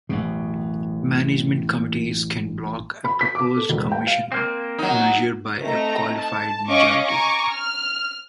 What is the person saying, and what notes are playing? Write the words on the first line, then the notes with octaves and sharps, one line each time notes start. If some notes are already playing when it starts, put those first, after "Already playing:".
Management committees can block a proposed Commission measure by a qualified majority.
A1 F#2 B2
B5
B6
D6
A4
E1
G5
F5
A#3 C4
F#3 D#4
A3 C4 D#4 A#5
A5
C#4 D#5 F5 C#6 D6
G#5 A#5 C#6 D6
F6